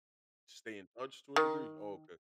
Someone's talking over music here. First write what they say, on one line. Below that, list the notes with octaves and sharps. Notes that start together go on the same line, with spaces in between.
stay in touch, to a degree? Oh, okay.
D#3